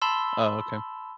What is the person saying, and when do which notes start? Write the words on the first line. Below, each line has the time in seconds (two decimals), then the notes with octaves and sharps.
Oh, okay.
0.02 A5 B5 C6 E6